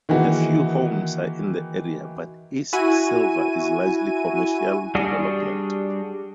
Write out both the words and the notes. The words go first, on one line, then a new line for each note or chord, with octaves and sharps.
A few homes are in the area, but East Sylva is largely commercial development.
D#3 E3 A#3 F#4 G#4
E4 F#4 G#5 D#7
G3 D4 F#4 G#4